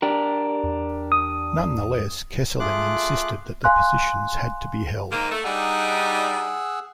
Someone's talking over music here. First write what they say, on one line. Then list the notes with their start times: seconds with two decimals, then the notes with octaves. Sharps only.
Nonetheless, Kesselring insisted that the positions had to be held.
0.02 D4 G4 A#4
0.64 E2
1.12 D#6
2.60 A3 F4 G#4 D6 F#6
3.64 F5 G#5 C6 F#6
5.11 G#2 D#3 A#3
5.31 A3
5.44 G3 D4 D#4 G#4 F#5 E6